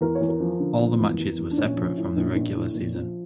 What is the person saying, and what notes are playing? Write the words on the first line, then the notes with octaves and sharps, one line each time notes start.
All the matches were separate from the regular season.
E2 A#4
C#5
E2
A#4
F3
D3
F3
E2
E2
E2
D4
A#1 C#4
F3
A2
A#1
A#1
A2
A#1
F3